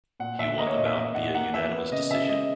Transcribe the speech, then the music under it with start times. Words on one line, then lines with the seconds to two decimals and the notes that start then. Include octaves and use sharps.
He won the bout via unanimous decision.
0.20 A#2 F#5
0.39 A#2 E5
0.57 A#3 D#5
0.67 C#5
0.77 A#2 D#5
0.86 E5
0.96 A#2 D#5
1.15 A#2 F#5
1.35 A#3 F#5
1.54 A#3 E5
1.72 B3
1.92 C#3 D#5
2.11 C#3 E5
2.29 G#3 D#5